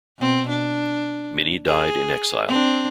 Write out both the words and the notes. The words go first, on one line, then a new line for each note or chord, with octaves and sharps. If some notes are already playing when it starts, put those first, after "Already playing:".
Many died in exile.
B2 C4
D4
G#4
C4 D4